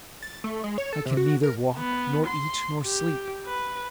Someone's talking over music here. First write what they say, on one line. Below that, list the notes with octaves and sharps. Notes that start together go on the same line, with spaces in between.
I can neither walk, nor eat, nor sleep.
A6
A3
G#3
C#5
A4
C3
F#4
A#4
B3
C6
G4
B4